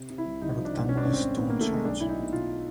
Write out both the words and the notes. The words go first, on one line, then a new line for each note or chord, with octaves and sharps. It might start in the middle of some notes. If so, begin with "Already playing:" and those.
A rectangular stone church.
Already playing: C3
C3
E4
C2
C2 D#4
F3
D4
C2
G#1 C#4
D4
G#1 C#4
C4
G#2
D#3 B3
A#3
G#2
A3
D#3 G#3
B1 D4
B1 E4
D#4
B2
B2 F4